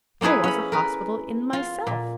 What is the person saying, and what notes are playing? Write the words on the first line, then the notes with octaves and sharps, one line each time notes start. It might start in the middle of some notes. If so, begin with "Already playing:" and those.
I was a hospital in myself.
A#3 C#4 E4 G#4 B4
C#4 B5
A#4 B4
F4
A#2